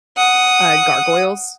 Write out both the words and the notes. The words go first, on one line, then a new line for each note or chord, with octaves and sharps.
uh, Gargoyles?
F#5 D#6